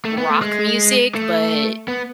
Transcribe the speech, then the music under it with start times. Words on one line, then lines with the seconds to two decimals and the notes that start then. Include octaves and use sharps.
rock music, but,
0.05 A3
0.18 B3
0.29 A3
0.42 G#3
1.15 A3
1.88 B3